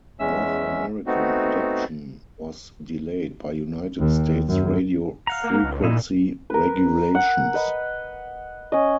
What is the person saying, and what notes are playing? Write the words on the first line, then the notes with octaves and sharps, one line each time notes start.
North American adoption was delayed by United States radio frequency regulations.
E2 G#3 C#4 E5 E6
A3 B3 C4 D#4 F#4
D#2
F#2
F5 F#5 A#5
A#3
C#2
A#2 D#4 E4 G#4
A#4 B4
F#5
B4 D#5 B5
C#4 D#5